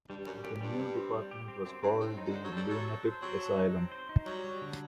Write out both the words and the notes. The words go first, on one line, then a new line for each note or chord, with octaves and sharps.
The new department was called the Lunatic Asylum.
G2 G3
F#2 G3
F#2 G4
G2 G3
G3
C4
G3
G4
C4
F#2 C4
G2 C4
A2 C4
D#4
C3
D3
C5
F#3
G3 A4
F#3 A4
A4
C5
F#3 C4
A4
D#4
C4
C5
D#4
F#3 G3
G3
D3